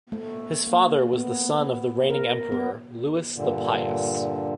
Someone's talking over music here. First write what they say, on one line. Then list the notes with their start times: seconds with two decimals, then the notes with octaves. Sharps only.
His father was the son of the reigning Emperor, Louis the Pious.
0.12 A3
0.67 A#3
1.13 B3
2.10 A#4
2.52 B3
3.36 G2 A#2 D3